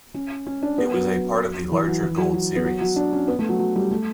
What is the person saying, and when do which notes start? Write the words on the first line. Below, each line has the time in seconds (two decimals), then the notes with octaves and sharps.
It was a part of the larger Gold series.
0.14 C#4
0.46 C#4
0.62 D4
0.78 B3
0.93 F#3
1.72 E3
1.87 F#3
2.03 E3
2.18 F#3
2.34 F#3
2.56 B3
2.66 F#3
2.81 F#3
2.96 D4
3.13 C#4
3.27 B3
3.39 A3
3.49 F#3
3.59 F#3
3.76 G3
3.91 A3